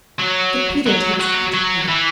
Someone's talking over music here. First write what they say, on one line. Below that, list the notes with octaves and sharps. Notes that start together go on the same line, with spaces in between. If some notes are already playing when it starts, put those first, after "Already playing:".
'That Peter takes atropine.'
F#3
F#3
F#3
F#3
E3